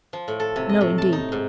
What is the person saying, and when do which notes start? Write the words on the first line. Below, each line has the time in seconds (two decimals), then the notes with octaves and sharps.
"No, indeed."
0.13 F3
0.28 A2
0.40 A4
0.56 C3
0.69 D#5
0.81 A2
0.98 A5
1.12 D#4
1.32 G#2